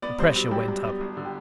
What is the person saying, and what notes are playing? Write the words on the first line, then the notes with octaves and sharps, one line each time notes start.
The pressure went up.
B3 D5
G2 C5
F#3
G2 G4
G2
B3
G1 F#4
D3
G4